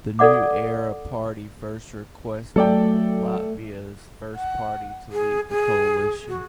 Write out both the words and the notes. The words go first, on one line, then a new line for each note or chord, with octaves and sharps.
The New Era Party first requested Latvia's First Party to leave the coalition.
A4 D5 F#5 D6
F#3 A3 A4 D5 G5
F#5
G#4
G#4
F#4